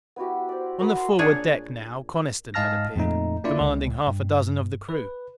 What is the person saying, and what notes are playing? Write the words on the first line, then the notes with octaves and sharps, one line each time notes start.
On the forward deck now Coniston had appeared, commanding half a dozen of the crew.
B3 E4 F#4 G4
C5 D5
F#4 A#4 B4 E5
C6
A#2 D4 G#4 C#5
G#2 D#5 F5 A5 F6 A#6
F2 A#2 A3 D#4
A#3 D4 E4 F4 D5
C#2
G2
B4